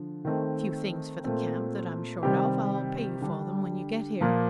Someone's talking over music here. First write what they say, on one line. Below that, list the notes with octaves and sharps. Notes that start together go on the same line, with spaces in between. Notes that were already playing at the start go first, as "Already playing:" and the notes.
A few things for the camp that I'm short of; I'll pay you for them when you get here.
Already playing: D3 F3
D#3 A3 C4
A#2 A3 C4
C3 D#3 G3 C4 G4
D3 G3 D4
A#2 F3 A#3 F4